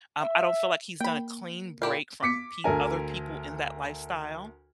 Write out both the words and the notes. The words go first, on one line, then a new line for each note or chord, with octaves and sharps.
Um, I don't feel like he's done a clean break from peo other people in that lifestyle.
E5
A#3 G5 B5
A#2 E4 G4 F5
D6 B6 C#7
D2 A4 A#4 G#5